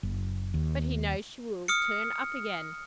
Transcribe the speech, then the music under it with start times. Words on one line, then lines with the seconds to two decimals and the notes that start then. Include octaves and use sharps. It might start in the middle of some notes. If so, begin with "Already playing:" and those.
But he knows she will turn up again.
0.03 F#1
0.54 D#2
1.68 D#6 F6 C#7